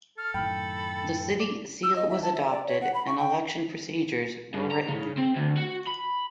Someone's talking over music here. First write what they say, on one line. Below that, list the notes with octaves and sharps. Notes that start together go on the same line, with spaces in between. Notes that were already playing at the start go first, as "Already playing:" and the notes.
The City Seal was adopted, and election procedures were written.
A4 F6
F#2 A2 D#3 G5 B5
D5
E6
D#5
E5
A5
E5
D5
C#5
F#5
B5
C#6
G5
G2
A#5
C#3
C4
D2
F#4
B5